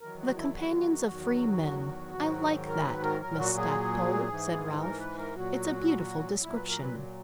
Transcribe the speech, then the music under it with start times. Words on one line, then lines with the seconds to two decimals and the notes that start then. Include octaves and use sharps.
"The companions of freemen--I like that, Miss Stackpole," said Ralph. "It's a beautiful description."
0.01 E2 D#3 F#3 A#4
0.19 F#4
0.36 E4
0.54 F#4
1.08 E2 D#3 F#3
2.14 G#2 D#3 F#3
2.68 A#4
2.86 B4
3.04 A#4
3.21 A#2 F#3 A#4
3.39 F#4
3.58 G#4
4.28 G#2 E3
4.82 A#4
5.00 B4
5.18 A#4
5.35 A#2 F#3 F#4
6.43 A#2 F#3 E4
6.55 B4
6.69 A#4
6.82 B4